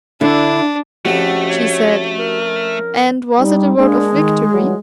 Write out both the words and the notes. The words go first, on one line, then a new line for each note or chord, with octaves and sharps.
She said, "And was it a word of victory?"
D3 D4 E4
F2 C#3 A3 F#4 G4
C#5
A#4
G3 D#4
G#3 A#3 D4
D#3
E3 F#3 G3